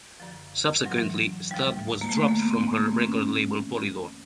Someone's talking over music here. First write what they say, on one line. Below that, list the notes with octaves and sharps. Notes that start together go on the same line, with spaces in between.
Subsequently, Studt was dropped from her record label Polydor.
F#2 D3 F3
G#2 E3 F#3
D2 D3 F3 G3
A#3
A3
F2 D3 F3 G#3
A#3
B3
C4
A#3
A3
G2 D3 F3 A#3
C4
C#4
C#4
G2 E3